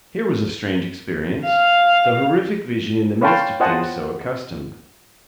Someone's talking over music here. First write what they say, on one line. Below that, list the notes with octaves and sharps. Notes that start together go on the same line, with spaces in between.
Here was a strange experience--the horrific vision in the midst of things so accustomed.
F5
B4 C#5 F5 G5 A5 C6
F4 C5 D#5 F#5 G#5 A5